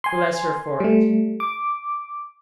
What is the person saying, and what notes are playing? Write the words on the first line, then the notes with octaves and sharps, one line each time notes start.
Bless her for it!
G#5 C6
G3 A3
D6